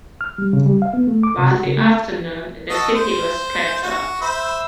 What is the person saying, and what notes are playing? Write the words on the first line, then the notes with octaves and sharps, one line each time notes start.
By the afternoon, the city was captured.
F6
G3
C#3
G3
F5
B3
A3
D6
C3
F#4
C#3
A3
F#4 A4 D#5
C5
F#4
C5 E5 B5